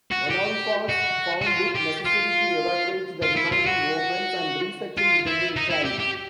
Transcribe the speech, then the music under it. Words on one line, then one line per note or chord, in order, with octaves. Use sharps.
Onoulphus found it necessary to evacuate the remaining Romans and resettled them in Italy.
F#4
G4
F#4
F#4
F4
G4
F4
F4
E4
F4
F#4
F4
E4
D#4
E4
G4
G4